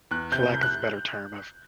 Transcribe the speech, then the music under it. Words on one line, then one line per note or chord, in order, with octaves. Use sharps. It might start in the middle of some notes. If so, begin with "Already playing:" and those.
for lack of a better term, I've
E2 F#6
C3 G6
C2
F#6